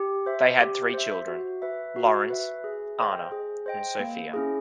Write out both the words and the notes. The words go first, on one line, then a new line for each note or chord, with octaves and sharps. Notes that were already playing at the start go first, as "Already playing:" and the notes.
They had three children, Lawrence, Anna and Sophia.
Already playing: G4
C5 E5
G4
C5 E5
F#4
B4 E5
F#4
B4 E5
G#4
C5 D#5 G5
G#4
C5 D#5 G5
A#3
C#4 E4 G#4